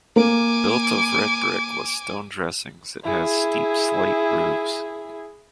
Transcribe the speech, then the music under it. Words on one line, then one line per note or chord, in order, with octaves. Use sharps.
Built of red brick with stone dressings it has steep slate roofs.
A#3 G#5 D6
E4 G#4